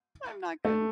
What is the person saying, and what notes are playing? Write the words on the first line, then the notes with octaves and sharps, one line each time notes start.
I'm not good.
A3